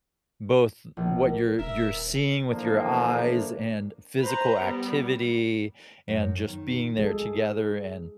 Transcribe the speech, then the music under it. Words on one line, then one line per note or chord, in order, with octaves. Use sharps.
both what you're you're seeing with your eyes and physical activity and just being there together, and
A#1
D#1 A#4 E5
D3 E3 F3 A#3 D4
B4 C5 A#5
G3 B3
F#2
D#3
G#3 G#4 A4